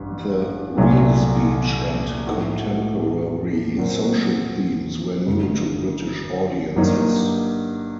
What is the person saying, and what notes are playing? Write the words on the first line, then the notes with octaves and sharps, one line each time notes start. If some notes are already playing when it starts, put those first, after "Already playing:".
The 'real' speech and contemporary social themes were new to British audiences.
Already playing: A1 G2
C2 A#2 F#3 A3
A2 A3 D#4 F#4
A#2 F#3 C4 F#4 A#4
G1 G2 D3
G2 F#3 A#3 D#4 G4